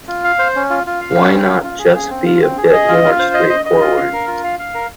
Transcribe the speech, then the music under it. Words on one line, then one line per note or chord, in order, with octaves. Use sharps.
Why not just be a bit more straightforward?
F4
F5
C5
C#4
F4
F4
F5
C#4
C4
F4
F4
G#4
G#4
C4
F4
C4
G#4
D#5
F4
F4
C5
D#5
D#5
D#5
F4
F5
A#4
F4
F5
F5
A#4